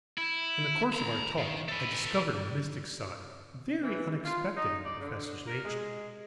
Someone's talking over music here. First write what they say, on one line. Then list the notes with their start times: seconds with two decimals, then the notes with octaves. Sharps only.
In the course of our talks I discovered a mystic side, very unexpected, in the professor's nature.
0.18 E4
0.94 A#5 B5
1.38 D#3
1.68 A4 B4
3.82 E3
4.24 F4
4.57 D#4
4.86 D5
5.00 D3
5.46 A#4
5.65 G#3